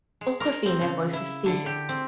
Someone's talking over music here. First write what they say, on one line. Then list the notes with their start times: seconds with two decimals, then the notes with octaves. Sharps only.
Awkwafina voices Sisu.
0.21 G#3
0.40 A#4
0.66 C4
0.81 C#3
1.13 E4
1.46 D3
1.66 G4
1.89 C4